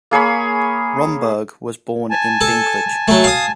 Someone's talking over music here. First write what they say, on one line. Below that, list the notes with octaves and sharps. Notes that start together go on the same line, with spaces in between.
Romberg was born in Dinklage.
A#3 G#4 C#5 B5
G#5 A5
A4
F#3 A3
F5 D#6